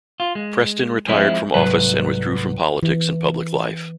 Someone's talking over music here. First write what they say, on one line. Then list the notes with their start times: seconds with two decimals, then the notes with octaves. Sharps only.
Preston retired from office and withdrew from politics and public life.
0.20 F4
0.35 G#3
1.08 F3 G#3 C4 E4
1.54 C2 G#2 F#3 A4 B4
2.83 E3